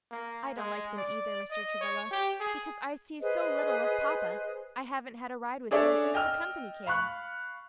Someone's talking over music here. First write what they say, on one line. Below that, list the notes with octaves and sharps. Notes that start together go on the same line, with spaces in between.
"I don't like them either, Mr. Travilla, because I see so little of papa. I haven't had a ride with him since the company came."
A#3
G#3
D5
D#5
C#5
G4
G#4
G#4 B4 C5 D#5
D4 G#4 A4 C#5 D5 E5
D#5 G5 E6 F6
F5 B5 C#6 F#6